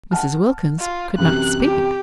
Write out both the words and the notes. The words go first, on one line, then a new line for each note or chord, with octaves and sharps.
Mrs. Wilkins could not speak.
F#5 A5 F6
F4
F#2 C3 E3 F#6
G4